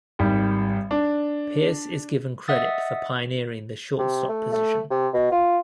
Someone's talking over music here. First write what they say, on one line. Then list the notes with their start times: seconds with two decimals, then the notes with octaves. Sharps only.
Pearce is given credit for pioneering the shortstop position.
0.19 G#1 G3
0.91 D4
2.48 D#5 E5 F#5 D#6 E6 A6
3.98 C3
4.29 A3
4.52 A3
4.90 C3
5.14 B2
5.31 F4